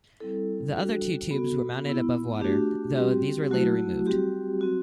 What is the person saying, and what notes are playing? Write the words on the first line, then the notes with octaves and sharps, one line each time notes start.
The other two tubes were mounted above water, though these were later removed.
G3 C4 E4 A4
G3 D4 F#4
B3 F#4
B3 E4
A3 D4 F#4 G4
G3 C4 F#4 G4
F#3 A3 E4 F#4
G3 C4 F#4 G4
F#3 C4 F#4